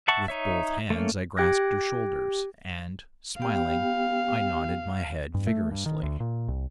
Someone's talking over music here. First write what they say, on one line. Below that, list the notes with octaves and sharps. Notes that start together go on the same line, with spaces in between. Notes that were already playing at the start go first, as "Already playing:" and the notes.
With both hands I grasped her shoulders, and, smiling, I nodded my head vigorously.
E5 F#5 A5 C#6
D#4 C#5 E5
A3 A#3 C#4
G4 G5 F#6 G#6 A#6
B3 G4 F5 G5
G2
A3
G2
D#3
D2
A#2
C2